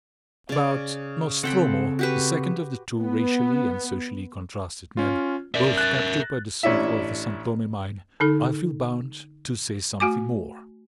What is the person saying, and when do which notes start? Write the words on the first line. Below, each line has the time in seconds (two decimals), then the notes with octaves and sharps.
About Nostromo, the second of the two racially and socially contrasted men, both captured by the silver of the San Tome Mine, I feel bound to say something more.
0.49 C#3 D5
1.43 C#3 C4 A4 F#5 G5 B5
1.99 F#4 G4 B4
3.01 B3
4.97 C#4 F4
5.55 A#4 D5 E5
5.78 F#6 A6
6.63 A1 C#4 D4 E4 E5
8.20 D3 D#4 A4
10.00 A3 F#4 G#5 D6